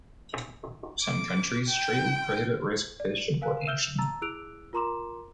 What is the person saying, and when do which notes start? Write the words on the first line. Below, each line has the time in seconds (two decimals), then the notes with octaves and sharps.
Some countries straightly prohibit risk fish importation.
1.02 D6
1.68 G5
3.00 D5
3.41 A#4 F5 G#5 F#6
3.67 E5 E6 F6 G6 G7
3.98 A5 A#5 E6 A6
4.21 E4 G#4 E6 F#6 D7 F7
4.73 F4 A#4 A#5 C6 D6 E7